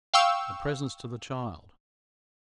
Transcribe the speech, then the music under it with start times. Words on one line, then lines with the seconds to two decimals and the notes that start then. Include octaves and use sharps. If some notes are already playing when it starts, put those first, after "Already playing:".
The presents to the child!
0.14 F5 G5 C#6 E6